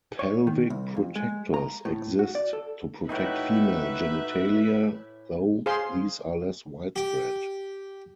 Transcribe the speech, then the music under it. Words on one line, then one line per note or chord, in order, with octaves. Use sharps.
Pelvic protectors exist to protect female genitalia, though these are less widespread.
C#5
D#3
C2
F2
G#3
A#5
A2
F#4
D5
A4
A2 E3 D#4 F#4 B4 E5 G5
G#4 C5 F5 C6
G4